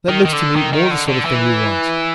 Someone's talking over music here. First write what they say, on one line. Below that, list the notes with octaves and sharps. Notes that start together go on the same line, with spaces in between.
That looks to me more the sort of thing we want.
D#3
D#3
D3
D#3
D#3
D3
D3
E3